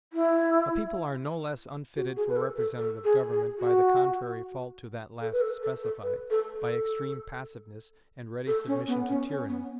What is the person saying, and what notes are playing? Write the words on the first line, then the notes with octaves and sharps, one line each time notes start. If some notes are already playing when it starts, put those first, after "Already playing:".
A people are no less unfitted for representative government by the contrary fault to that last specified--by extreme passiveness, and ready submission to tyranny.
E4
F#4
G#4
B4
A4
A4
A4
G#4
G#4
F#4
A4
B4
A4
A4
A4
B4
A4
A4
A4
C#4
B3
C#4
C#4
B3